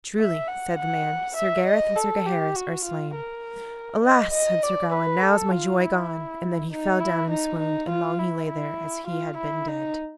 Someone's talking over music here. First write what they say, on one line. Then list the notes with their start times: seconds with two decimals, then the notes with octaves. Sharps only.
"Truly," said the man, "Sir Gareth and Sir Gaheris are slain." "Alas!" said Sir Gawain, "now is my joy gone." And then he fell down and swooned, and long he lay there as he had been dead.
0.18 E5
0.48 F#5
0.77 F#5
1.36 E5
1.67 D#5
1.96 A4
2.26 G4
2.56 F#4
2.85 F4
3.15 A#4
4.03 D#5
4.33 D#5
4.63 D5
4.93 B4
5.22 A4
5.51 F4
5.81 E4
6.71 D#4
7.00 E4
7.30 D#4
7.59 D#4
7.90 F4
8.19 E4
8.48 E4
9.07 F4
9.37 E4
9.68 D#4